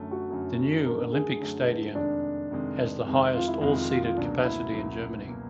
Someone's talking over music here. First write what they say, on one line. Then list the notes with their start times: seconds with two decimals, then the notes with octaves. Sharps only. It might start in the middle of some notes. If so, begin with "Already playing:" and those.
The new Olympic Stadium has the highest all-seated capacity in Germany.
Already playing: F#2 D3 F#3 A3
0.11 F#4
0.30 F#2 D3 F#3 A3
0.85 F#2 D3 F#3 A3 A#4
1.12 G#4
1.40 F#2 D3 F#3 A3
1.95 F2 C3 D#3 G#3 D4
2.51 F2 C3 D#3 G#3
3.06 F2 C3 D#3 G#3
3.34 F4
3.47 E4
3.61 F2 C3 D#3 G#3 E4
3.75 F4
3.90 F4
4.03 F4
4.17 C#2 B2 F#3 A#3 D4
4.44 E4
4.71 C#2 B2 F#3 A#3
5.27 B2 F#3 A#3